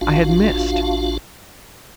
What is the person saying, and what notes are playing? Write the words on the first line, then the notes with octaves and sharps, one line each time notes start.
I had missed!
A1 D4 F4 F#4 F5